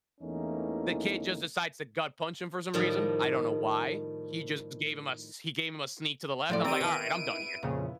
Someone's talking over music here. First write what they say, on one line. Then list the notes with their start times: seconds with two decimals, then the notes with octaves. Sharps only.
The kid just decides to gut punch him for some reason. I don't know why. He just gave him a s he gave him a sneak to the left. I was like, "All right, I'm done here,"
0.21 E2 E3 A3 A#3 C#4 D#4
2.74 A2 D#3 F3 G3 A#4 A#5
6.50 A2 F3 F#3 A4 D5
6.64 C4 G4 D5 A#5 E6 D7 D#7
6.81 D#3 B3 E4
7.63 F2 A#2 C#3